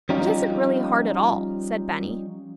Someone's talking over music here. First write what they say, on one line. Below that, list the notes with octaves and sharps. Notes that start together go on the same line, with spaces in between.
"It isn't really hard at all," said Benny.
F3 G3 C#4 D#4 F4 G4